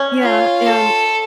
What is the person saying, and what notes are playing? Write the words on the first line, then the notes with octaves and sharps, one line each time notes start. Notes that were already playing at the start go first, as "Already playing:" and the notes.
Yeah, and
Already playing: C#4
F4
A4